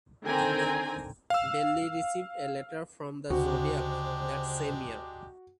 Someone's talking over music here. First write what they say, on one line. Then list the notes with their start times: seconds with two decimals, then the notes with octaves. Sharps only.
Belli received a letter from the The Zodiac that same year.
0.23 D3 D#3 C4 G5 G#5 A#5
1.30 F5 E6
3.30 D2 C#3 G#3 D4 F#4 G4 C5